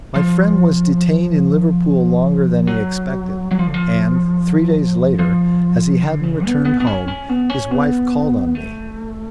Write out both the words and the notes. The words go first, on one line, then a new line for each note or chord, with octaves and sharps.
My friend was detained in Liverpool longer than he expected; and, three days later, as he hadn't returned home, his wife called on me.
F3
F#3
F#3
F3
D3
F3
F3
D3
C#3
B3
B3
B3
C#4
C#4
B3
C#4
B3
A3